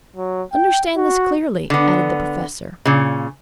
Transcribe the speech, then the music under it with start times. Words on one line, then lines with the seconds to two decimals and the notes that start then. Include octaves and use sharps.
"Understand this clearly," added the Professor.
0.16 F#3
0.53 G5
0.97 F#4
1.70 D3 B3
2.85 A#2 C#3